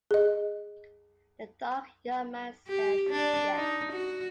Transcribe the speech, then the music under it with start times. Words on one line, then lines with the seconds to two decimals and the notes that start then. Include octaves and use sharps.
The dark young man says 'yes'.
0.11 G#4 D#5
2.68 G4
3.11 D4
3.56 D#4
3.93 F#4